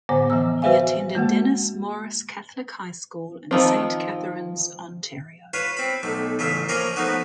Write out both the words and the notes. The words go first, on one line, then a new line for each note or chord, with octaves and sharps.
He attended Denis Morris Catholic High School in Saint Catharines, Ontario.
A2 D3 B3 C5 F#5 G#5
D3 E3 F3 B3 E6
F#4 B4 C5 E5 F5 G#5
G#3 A#3 F#4 F#5
D#3 F3 C4
F4 B4 C#5 A5
C4 B5
B1 A3
A1 C#3 F4 E5
F3 A#3 C#4 A#4 G#5 A#5
F3 A3 B3 D#4 F#4